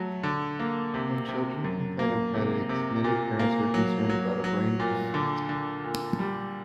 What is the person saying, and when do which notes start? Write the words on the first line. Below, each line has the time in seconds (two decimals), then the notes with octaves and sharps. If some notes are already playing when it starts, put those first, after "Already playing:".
When children complain of headaches, many parents are concerned about a brain tumor.
Already playing: F#3 A3
0.23 D3
0.59 A#3
0.94 C3
1.29 C3
1.64 F#2
1.99 A#3
2.34 C3
2.69 C3
3.04 A#2
3.39 A#3
3.74 F#3
4.09 F#3
4.44 F#3
4.80 A#2
5.14 D3
5.49 D3
5.84 A#2
6.19 G3